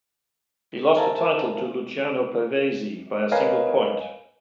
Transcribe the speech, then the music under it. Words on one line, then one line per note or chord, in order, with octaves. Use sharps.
He lost the title to Luciano Pavesi by a single point.
A#4 C5 E5 F5 G#5 A5
A#4 B4 C#5 D#5 F5 G#5